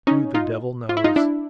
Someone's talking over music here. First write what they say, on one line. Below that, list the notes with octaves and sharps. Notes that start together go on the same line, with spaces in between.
Who the devil knows?
C#4 D#4
D#4 F4
F4
E4
D#4 F4
D4 E4